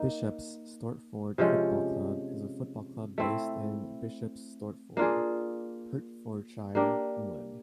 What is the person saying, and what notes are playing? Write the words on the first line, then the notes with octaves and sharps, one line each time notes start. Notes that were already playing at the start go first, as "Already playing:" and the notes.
Bishop's Stortford Football Club is a football club based in Bishop's Stortford, Hertfordshire, England.
Already playing: A#3 D#4
C3 F3 G#3 C#4
A3 C4 E4
A#3 D4 F4 G#4
A#3 D4 G4 A#4